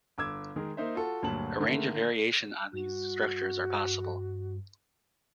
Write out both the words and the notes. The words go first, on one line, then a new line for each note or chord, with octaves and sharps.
A range of variations on these structures are possible.
G1 D6 E6 G#6
D#3 G#3 A#4
A#3 D#4 C5 E5
F4 F#4 A4
D2 G2 A#2 F#3 A5 F#7
D3 D#3 A3 A#3
G2 F#4